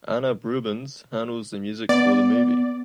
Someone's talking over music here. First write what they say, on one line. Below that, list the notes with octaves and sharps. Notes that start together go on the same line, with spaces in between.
Anup Rubens handle the music for the movie.
B3 D5